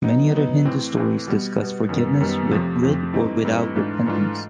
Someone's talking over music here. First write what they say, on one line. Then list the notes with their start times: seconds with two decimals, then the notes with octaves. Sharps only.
Many other Hindu stories discuss forgiveness with or without repentance.
0.03 F#3 B3 D#4
0.34 F#3 B3 D#4
0.65 A2 E3 A3 C4
0.97 A2 E3 A3 C4
1.27 B2 G3 B3
1.59 B2 G3 B3
1.89 F#2 D#3 G3 B3
2.20 F#2 D#3 G3 B3
2.51 F2 C3 F3 A3 C4
2.83 F2 C3 F3 A3 C4
3.13 G2 E3 A3 C4 D#4
3.44 G2 E3 A3 C4 D#4
3.75 G#2 E3 A3 D4 F4
4.06 G#2 E3 A3 D4 F4